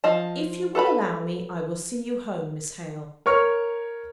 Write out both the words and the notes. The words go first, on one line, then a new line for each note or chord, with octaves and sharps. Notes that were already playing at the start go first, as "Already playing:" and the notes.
'If you will allow me, I will see you home, Miss Hale.
F3 D#5 A5
A4 B4 A#5 B5
A#4 C#5 C#6 F6